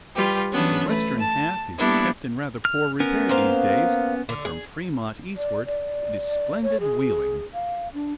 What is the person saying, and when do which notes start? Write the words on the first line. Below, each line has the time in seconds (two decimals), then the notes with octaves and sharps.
The western half is kept in rather poor repair these days; but from Fremont eastward it is splendid wheeling.
0.15 G3 F4 G4 B4
0.51 E3 F#3 B3 C#4 D4
0.87 A3 B4
1.19 A5
1.76 G3 A#3 B3 D4 E4 A4
2.65 F6
3.00 B3 C#4 A#4
3.29 A#3 C5 F5
4.29 D3
4.45 G#4
5.37 D5
5.66 D5
6.63 C#5
6.80 G#4
7.54 F5
7.94 D4